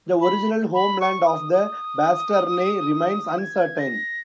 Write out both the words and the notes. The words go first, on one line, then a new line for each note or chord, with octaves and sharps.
The original homeland of the Bastarnae remains uncertain.
B5
B5
C#6
D#6
D#6
G#6
A#6